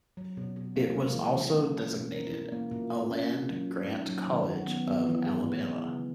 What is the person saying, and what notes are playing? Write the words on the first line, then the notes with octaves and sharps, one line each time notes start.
It was also designated a land grant college of Alabama.
F#3
B2
B2
A#3
G#3
E3
E3
C#4
A#3
B2
A#4
E4
A#3
A#2
A#2
C#4
A#3
F#3
F#4
D#4
F#3
D#3
F#4
B3
B3
E3
G#4
E4
G#3
C#3